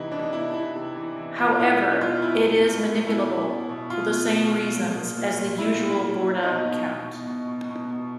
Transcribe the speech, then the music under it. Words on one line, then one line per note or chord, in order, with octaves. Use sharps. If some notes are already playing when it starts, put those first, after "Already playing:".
However, it is manipulable, for the same reasons as the usual Borda count.
Already playing: C3 E3 D#4 E4
E3 D4
D#4
C3 E4
E3 E4
C3
E3
E3
B2 F4
B2 E4
B2 D#4
B2 F4
B2 E4
B2
B2
B2
B2 E4
B2
B2
B2
B2 F4
B2
B2
B2
A#2
A#2
A#2
A#2
A#2 E4
A#2
A#2
A#2
B2 D#4
B2
B2
B2
B2
B2
B2
B2